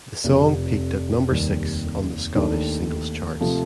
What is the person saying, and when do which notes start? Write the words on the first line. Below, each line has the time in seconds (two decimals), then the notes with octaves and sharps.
The song peaked at number six on the Scottish Singles Charts.
0.24 F1 F2 C3
1.30 F1 D#2 D#3 G3
2.35 D#2 D#3 A3 D4
3.40 C3 F3 A3